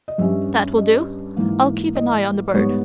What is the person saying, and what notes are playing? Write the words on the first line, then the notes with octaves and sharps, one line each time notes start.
"That will do; I'll keep an eye on the bird."
D#5
G2 G3 C#4 E5
D#5
G#2 E3 A#3
D#5
G#2 G3 B3 C#5